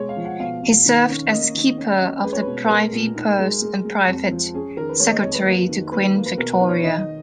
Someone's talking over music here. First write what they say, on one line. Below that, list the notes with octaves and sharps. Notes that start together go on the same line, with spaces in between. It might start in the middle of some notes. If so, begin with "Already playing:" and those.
He served as Keeper of the Privy Purse and Private Secretary to Queen Victoria.
Already playing: B2 G#3 C#5
F5
F3
F#5
B2 F5
B2
D#3
C#4
A#3 D#5
D#3
C#4
C#4
G#3 B4
C#5
B2 B4
B4
G#3 A#4
A#2
D#4
G#3
G#3
G#3
F2
F3
C#4 G#4
D#3 A#4
B4
G#3 C#5
D#5
F2 C#5
B4
A#3
D#3
A#3 B4
A#3
B4
B2 A#4
B4
D#4
C#5
D#3 D#5
D#5